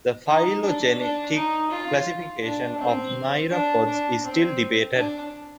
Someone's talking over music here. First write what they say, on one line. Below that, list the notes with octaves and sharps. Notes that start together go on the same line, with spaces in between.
The phylogenetic classification of myriapods is still debated.
D#4
D4
D4
D#4
F4
D4
C4
D4
D4
C4
D4